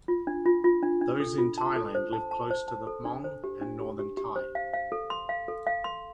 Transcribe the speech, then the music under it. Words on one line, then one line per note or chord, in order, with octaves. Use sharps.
Those in Thailand live close to the Hmong and northern Thai.
F4
D4
F4
F4
D4
D4
A4
F4
A5
A4
C5
A5
A5
C5
A5
A4
D4
C5
G4
D4
G4
G4
G4
C5
F5
F5
A4
C6
F5
A4
F5
C6